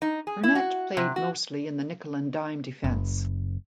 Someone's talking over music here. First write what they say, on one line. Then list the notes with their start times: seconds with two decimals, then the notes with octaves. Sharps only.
Burnett played mostly in the nickel and dime defense.
0.02 D#4
0.27 G#4
0.43 E4
0.55 F#4
0.97 C3
1.16 F#4
2.84 F#1